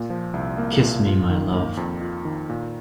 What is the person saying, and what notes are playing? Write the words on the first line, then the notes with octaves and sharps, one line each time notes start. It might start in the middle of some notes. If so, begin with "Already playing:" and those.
Kiss me, my love.
Already playing: A#2 A#3
F3
C2
A#3
A#2
F4
D#3
A#3
F2
F4
D#3
A#2